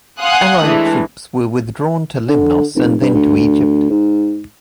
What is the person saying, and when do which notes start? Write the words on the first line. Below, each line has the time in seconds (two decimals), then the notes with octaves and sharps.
Allied troops were withdrawn to Lemnos and then to Egypt.
0.20 F5 F#5 G#5 C6 D#6 F#6
0.63 E3 G#3 A3 D4
2.28 D3
2.75 F1
3.01 G2
3.14 D2
3.90 G#2